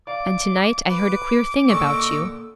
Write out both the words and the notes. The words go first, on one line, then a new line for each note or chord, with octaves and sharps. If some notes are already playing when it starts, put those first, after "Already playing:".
'And to-night I heard a queer thing about you.'
D5 F5 D6
B4 D6
A#2 D3 D#5 C#6 E6